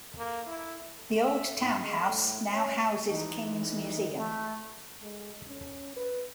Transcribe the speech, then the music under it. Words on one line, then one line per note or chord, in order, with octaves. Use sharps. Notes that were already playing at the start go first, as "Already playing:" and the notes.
The Old Town House now houses King's Museum.
A#3
E4
E5
G#2
G#3
A2
C#4
E3 G#3 D#4
A3
G#3
C#4
B4